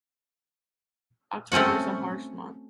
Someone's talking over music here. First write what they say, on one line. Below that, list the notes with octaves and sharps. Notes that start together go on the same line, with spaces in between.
Octobers a harsh month.
A3 C4 C#4 F#4 F#5